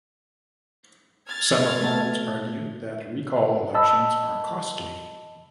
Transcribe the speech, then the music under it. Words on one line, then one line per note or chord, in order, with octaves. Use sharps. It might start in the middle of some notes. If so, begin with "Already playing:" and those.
Some opponents argued that recall elections are costly.
F6 G#6 A6
A3 A4
D#5 A5 B5 E6